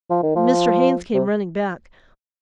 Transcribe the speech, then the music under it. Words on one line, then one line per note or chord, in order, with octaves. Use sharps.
Mr. Haynes came running back.
F3
D#3
F3
C3